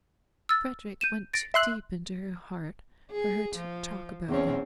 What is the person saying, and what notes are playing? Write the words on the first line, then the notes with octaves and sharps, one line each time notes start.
Frederick went too deep into her heart for her to talk about him.
E6 F6 A6
G6 D#7 E7
A6 A#6 D7
E5 C6 F#6
G#4
F3
E2 C4 C#4